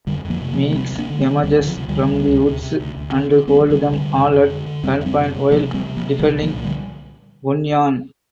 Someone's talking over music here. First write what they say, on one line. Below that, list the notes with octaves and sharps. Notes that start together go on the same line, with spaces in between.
Meeks emerges from the woods and hold them all at gunpoint while defending Bunyan.
F2 D3 G3
F2
F3 A#3
C3
F3 A#3
C3
A#3
D2 G3 C4
D2
A#3 D4
D3
G3 C4
D3
D2 D3 G3
D2 D3
F3
C3
D3 G3
C3
D2
D2
C3
C3
D2
D2
D3
D3
D2 G3 C4
F3
D2
D3 G3
C3
D3 G3
C3
F2
F2
D3
D3
F2 G3 C4
F2 D4
G3 C4
C3
C3
D2 F3 A#3
D2
G3 C4
C3
F3 A#3
C3
C2 D3 G3
C2
F3 A#3
A#2
D3 G3